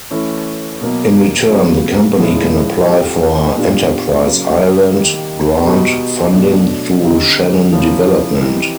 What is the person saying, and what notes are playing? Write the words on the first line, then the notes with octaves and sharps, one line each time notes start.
In return the company can apply for Enterprise Ireland grant funding through Shannon Development.
E3 A3 C#4
B2 F#3 A#3
C#3 F#3 B3
A#2 F3 G#3 C#4 E4
G3 C4 F4 A4
A#2 G3 B3 D4 F4
C#3 F#3 A#3
D#3 G3 A#3
B2 G3 B3 D#4 F#4
B2 F#3 A3 D4
D3 G3 C4 D#4
C3 F3 A#3 C#4 E4
E3 G3 C4 D#4